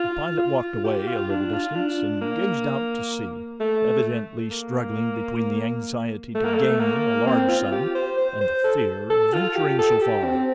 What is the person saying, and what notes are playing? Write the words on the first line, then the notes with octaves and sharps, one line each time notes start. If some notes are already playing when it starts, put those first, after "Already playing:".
The pilot walked away a little distance, and gazed out to sea, evidently struggling between the anxiety to gain a large sum and the fear of venturing so far.
Already playing: F4
F4
G4
F4
D4
F4
D4
A#3
A3
A#3
A3
A#3
A3
A#3
C4
F4
G4
C5
C5
C5
A4
A4
F4
G4
A4
G4
C4